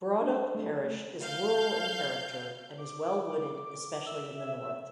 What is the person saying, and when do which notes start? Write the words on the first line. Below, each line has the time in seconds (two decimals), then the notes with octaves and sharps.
Broadoak parish is rural in character and is well wooded, especially in the north.
0.21 D4
0.55 A3
1.21 F5 G6
2.79 D6
4.07 E5 E6